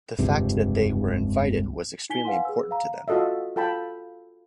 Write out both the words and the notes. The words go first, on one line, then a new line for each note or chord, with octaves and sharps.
The fact that they were invited was extremely important to them.
F1 C#2 G2 C3
D#4 E4 G#5 B6 G7
B4 F5 F#5 G#5 C6
G#4 B4 E6
F5 A#5
F4 F#4 A4 D#5 E5
F4 A4 G5 A5 B5